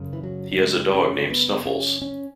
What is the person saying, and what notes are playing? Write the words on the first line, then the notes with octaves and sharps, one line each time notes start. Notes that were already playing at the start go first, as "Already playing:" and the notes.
He has a dog named Snuffles.
Already playing: F#2 C#3
E3
F#3
F#3
G#3
C#4
B3
C#4
C#4